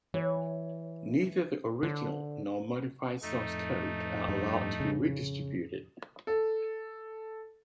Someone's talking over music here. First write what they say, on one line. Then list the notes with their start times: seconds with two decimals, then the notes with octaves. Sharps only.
Neither the original nor modified source code are allowed to be redistributed.
0.14 E3 C#5
1.83 D3 C5
3.22 F2 A2 A3 D#4
4.28 G2
4.80 C#3
6.27 A4